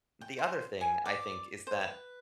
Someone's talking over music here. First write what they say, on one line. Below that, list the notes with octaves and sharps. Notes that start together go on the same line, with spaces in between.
The other thing I think is that
G5
C5
G#5
D5
C5
B4